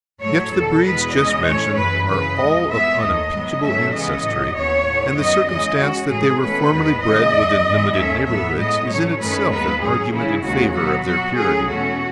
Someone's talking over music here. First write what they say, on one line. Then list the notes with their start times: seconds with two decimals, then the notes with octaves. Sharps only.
Yet the breeds just mentioned are all of unimpeachable ancestry, and the circumstance that they were formerly bred within limited neighbourhoods is in itself an argument in favour of their purity.
0.20 A2 F#3 A3 C#5
0.51 E2 B2 F#3 A4
0.82 E2 B2 G#3 B3 B4
1.13 B2 G#3 C#4 D#5
1.44 A2 E3 A3 C#4 C#5
1.75 F#2 E3 G#3 B4
2.06 F#2 C#3 E3 B4
2.37 E2 B2 G#3 D#5
2.68 B2 G#3 B3 E5
2.99 D#2 D#3 A3 D#5
3.30 G#2 F#3 B3
3.61 G#2 F#3 A3 C#4 E5
3.92 C#3 E3 G#3 B3 D#5
4.22 A2 F#3 B3
4.54 D#2 C#3 E3 B3 C#5
4.85 A2 E3 B3
5.15 F#2 D#3 F#3 B3 D#5
5.47 E2 C#3 G#3 C#4 D#5
5.77 C#3 G#3 C#4 F#4
6.08 A2 E3 G#3 G#4
6.39 B2 A3 C#4 B4
6.70 E2 D#3 G#3 B3
7.01 C#3 E3 G#3 B3 D#5
7.32 E2 C#3 G#3
7.64 G#2 E3 G#3 B3
7.94 D#2 D#3 A3 C#4 E5
8.25 A2 F#3 B3 E5
8.56 A2 G#3 B3 D#5
8.87 A2 F#3 C#4 C#5
9.18 F#2 D#3 A3 C#4 B4
9.48 D#2 D#3 G#3 B3 B4
9.79 G#2 F#3 C#4 G#4
10.11 C#3 E3 G#3 C#4 E4
10.41 D#2 C#3 G#3 C#4 F#4
10.72 B2 F#3 B3 F#4
11.03 B2 F#3 B3 F#4
11.34 C#3 F#3 A3 C#4 G#4
11.65 E2 B2 A3 C#4 F#4